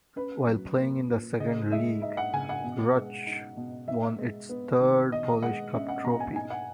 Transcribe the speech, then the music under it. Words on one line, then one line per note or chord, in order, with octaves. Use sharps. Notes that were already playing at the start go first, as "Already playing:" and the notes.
While playing in the second league Ruch won its third Polish Cup trophy.
C#4 B4
F#3
A#3
A#2
C#3 D#5
G#3 E5
D#4 E5
F#5
C#3 G#5
F#5
B2
G#3
D#4
B2
D#4 E5
G#3
B3
D#3
B2 D#5
G#3 F#5
C#4 E5
F#5
B2 A#5
G#5
D#4 G#5
F#5